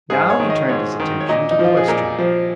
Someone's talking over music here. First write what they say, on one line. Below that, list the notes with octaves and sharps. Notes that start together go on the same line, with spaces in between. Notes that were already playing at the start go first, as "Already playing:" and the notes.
Now he turned his attention to the western dial.
G#2 G#4
C#5
D#3
D#5
G#2 C#5
D#3
C#5
A#2 D#5
D#4
F3 F4
G#4
A#2 A#4
F3